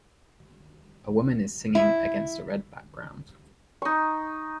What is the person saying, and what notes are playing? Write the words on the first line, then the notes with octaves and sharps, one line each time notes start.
A woman is singing against a red background.
E4
D#4 C#6